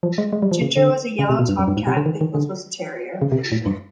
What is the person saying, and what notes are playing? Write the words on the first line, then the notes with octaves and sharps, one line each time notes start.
Ginger was a yellow tomcat, and Pickles was a terrier.
F3
G#3
G#3
G3
F3
C#3
D3
C#3
C3
B2
G2
F#2
G2
G#2
C3
D3
D#3
D#3
D3
C#3
C3
A2
G2